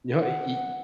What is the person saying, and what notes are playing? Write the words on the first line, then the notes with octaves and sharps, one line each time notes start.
No, e e
F#5